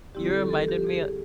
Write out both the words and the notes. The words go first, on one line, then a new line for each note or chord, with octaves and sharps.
You reminded me, uh
D3 G3 C4 E4 G4
A4
A4
G4
G#4